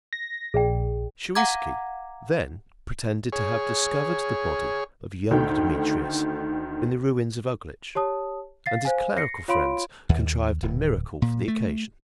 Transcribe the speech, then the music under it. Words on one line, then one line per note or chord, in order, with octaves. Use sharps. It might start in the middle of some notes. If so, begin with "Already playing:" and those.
Shuiski then pretended to have discovered the body of young Demetrius in the ruins of Uglitch, and his clerical friends contrived a miracle for the occasion.
A#6
A#1 G#4 D5 G5
F5 F#5 A#5 D6 G#6
G#4 C#5
D2 D#3 A4 G5
G4 C#5 A5 D#6
F5 A6 C7
C5 F5 G#5
A#6 C7 C#7
F4 C#5 F5 B5 C6 D7
D#2
D1
A#2
A3